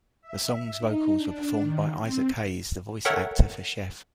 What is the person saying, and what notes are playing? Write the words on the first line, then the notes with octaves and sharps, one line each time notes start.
The song's vocals were performed by Isaac Hayes, the voice actor for Chef.
E5
D#4
D4
D#3
C4
A4 A#4 C#5 E5 F#5 G5